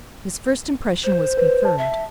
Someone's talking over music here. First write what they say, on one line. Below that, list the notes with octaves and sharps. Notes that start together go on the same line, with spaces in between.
His first impression was confirmed.
C5
B4
A5
E5